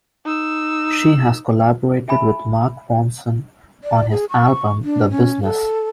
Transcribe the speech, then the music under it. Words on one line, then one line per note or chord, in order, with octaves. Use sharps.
She has collaborated with Mark Ronson on his album, "The Business".
D#4 E6
E5 G#5 B5
D5
G#4
C#6
D4
C#4
A4